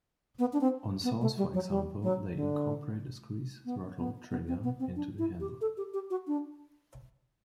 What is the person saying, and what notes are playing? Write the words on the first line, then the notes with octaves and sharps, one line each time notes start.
On saws for example, they incorporate a squeeze throttle trigger into the handle.
B3
D4
C4
B3
A3
G3
F#3
G3
F#3
D3
B3
B3
B3
C4
B3
C4
D4
E4
G4
A4
G4
G4
F#4
D4